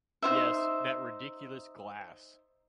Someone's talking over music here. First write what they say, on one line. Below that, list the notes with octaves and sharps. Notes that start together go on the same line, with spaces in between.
Yes, that ridiculous glass.
D#4 F4 C5 E5